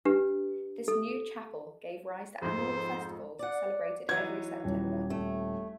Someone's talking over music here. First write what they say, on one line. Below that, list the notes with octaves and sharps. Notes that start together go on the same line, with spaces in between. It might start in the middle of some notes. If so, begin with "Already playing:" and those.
This new chapel gave rise to annual festivals celebrated every September.
D4 G4 B4
A4
F2 G#2 C5
D5 F#5
E3 F#3 D#4 G#6
D#1
A3